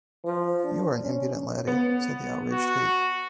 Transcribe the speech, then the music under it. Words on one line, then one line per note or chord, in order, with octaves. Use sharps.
"You're an impudent laddie," said the outraged Haight.
F3
D4
C#4
B3
F#4